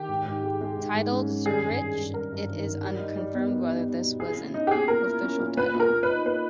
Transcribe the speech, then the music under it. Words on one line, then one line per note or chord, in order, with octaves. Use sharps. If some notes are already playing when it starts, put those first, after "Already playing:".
Titled "Zurich", it is unconfirmed whether this was an official title.
Already playing: D#3 G4
G#2
G#2
G#3
G#3
G#2
G#2
C#4
C#4
D#3 G#4
G2
G2
G2
G2 A#4
G2
D#3
G2
G3
D#4
G3
B3
G3
D#4
D#4
B2
E4 G#4
C#4
C#4 D#4
G4
A#2 G#4
A#2 A#4
E4
C#4
A#2
A#2 B4
A#2
A#4
A#2
B4
D#4
A#3 B4